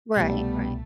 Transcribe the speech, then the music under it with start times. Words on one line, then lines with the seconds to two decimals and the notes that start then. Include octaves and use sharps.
Right, right.
0.16 C2 B2 G3 A3 B3